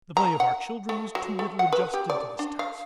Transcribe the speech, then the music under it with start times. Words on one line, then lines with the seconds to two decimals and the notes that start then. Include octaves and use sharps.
The play of our children is too little adjusted to this task.
0.17 A#5
0.40 F#5
0.89 A3
1.15 F#3
1.39 A3
1.59 F#5
1.72 B4
1.94 G4
2.10 D5
2.39 D4
2.59 F5